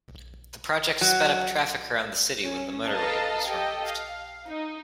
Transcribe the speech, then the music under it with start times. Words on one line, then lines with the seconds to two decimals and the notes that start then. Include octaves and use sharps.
The project sped up traffic around the city when the motorway was removed.
1.01 F#3
2.42 C#4
2.86 A4 B4 D#5 F5 A5 A#5
3.45 G4 A4 D#5 G5
3.84 F5
4.46 D#4